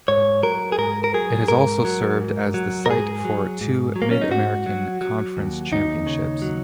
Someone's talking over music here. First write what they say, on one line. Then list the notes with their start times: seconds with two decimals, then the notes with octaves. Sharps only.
It has also served as the site for two Mid-American Conference Championships.
0.08 G#2 C#5
0.43 F#3 A#4
0.72 G#4
0.78 G#2 A#4
1.04 A#4
1.14 F#3 G#4
1.48 G#2 A#4
1.85 F#3
2.20 G#2
2.54 F#3
2.86 A#4
2.89 G#2 G#4
3.25 F#3
3.61 G#2
3.96 F#3
4.02 A#3
4.11 C#4
4.22 D#4
4.31 G#2 F#4
4.66 F#3
5.01 F#3
5.37 D#2
5.72 D#2 D#4
6.07 C#3
6.42 F#3